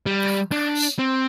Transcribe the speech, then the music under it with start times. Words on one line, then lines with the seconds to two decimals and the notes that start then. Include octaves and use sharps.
Oh gosh.
0.06 G3
0.52 D4
0.99 C4